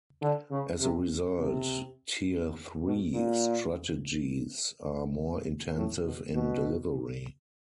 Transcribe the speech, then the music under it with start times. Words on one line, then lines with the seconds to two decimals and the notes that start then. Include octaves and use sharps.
As a result, tier three strategies are more intensive in delivery.
0.22 D3
0.51 C#3
0.80 C3
1.39 C3
2.84 B2
3.13 A#2
5.76 A2
6.05 B2
6.34 B2